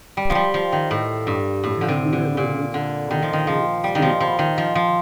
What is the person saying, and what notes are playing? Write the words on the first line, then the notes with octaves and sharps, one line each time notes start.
It has never used horse or steam power.
G3
F3
G3
F3
D#3
A2
G2
A2
D3
C3
D3
A#2
D3
D#3
F3
D#3
F3
G3
D#3
F3
F3
D#3
F3
F3